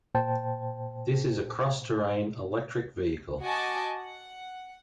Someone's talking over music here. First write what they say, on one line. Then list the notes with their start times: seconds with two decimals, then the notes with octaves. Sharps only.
This is a cross-terrain electric vehicle.
0.15 A#2 C5 G5 A5
3.42 F#4 D#5 G#5 A5 D6
3.96 F#5